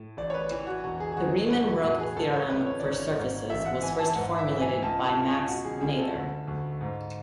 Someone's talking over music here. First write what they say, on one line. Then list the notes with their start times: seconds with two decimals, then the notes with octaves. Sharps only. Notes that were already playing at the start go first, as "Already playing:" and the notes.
The Riemann-Roch theorem for surfaces was first formulated by Max Noether.
Already playing: A2
0.17 A1 D5
0.30 C#5
0.34 B4
0.51 E3
0.67 F#4
0.83 E1 F#4
1.00 G#4
1.12 G#4
1.17 E1 F#4
1.50 E3 B4
1.67 F#4
1.83 A2 F#4
2.00 G#4
2.16 C#2 A4
2.33 C#5
2.50 C#2 B4
2.66 C#5
2.80 G#1 D5
2.92 C#5
3.16 G#2
3.49 A1 E5
3.66 F#5
3.82 E3 G#5
3.99 A5
4.15 G#2 F#5
4.38 E5
4.48 E3
4.60 G#5
4.82 C#2 A5
5.04 A5
5.15 C#2
5.27 G#5
5.48 B2 F#5
5.65 G#4
5.81 C#2 G#4
5.98 A4
6.15 D2
6.48 D2
6.81 G#2